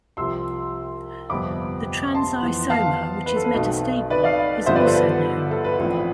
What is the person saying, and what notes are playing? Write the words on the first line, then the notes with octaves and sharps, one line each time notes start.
The trans isomer, which is metastable, is also known.
C2 C3 F3 C6 E6
G1 F2 C3 G3 B3 B5 D6
A5 C6
F2 E3 B3
F5 A5
B4
A4
B4
B1 B2 A3 C4
B4 D5
D5 F5
G2 D3 F3 B3 C5 E5
B4 D5
A4 C5
B4
A4
B4
A1 A2 F3 C4